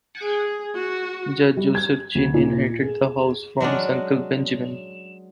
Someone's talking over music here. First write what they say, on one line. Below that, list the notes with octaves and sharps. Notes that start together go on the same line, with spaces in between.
Judge Joseph Chinn inherited the house from his uncle Benjamin.
G#4
F#4
G3
G#6
D2
A#2
G#4
F#3 G#3 C#4 D4